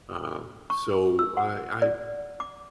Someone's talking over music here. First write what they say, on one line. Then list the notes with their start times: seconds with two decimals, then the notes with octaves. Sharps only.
um, so, I I
0.70 C#6
1.19 E6
1.37 F#5
1.82 D5
2.40 D6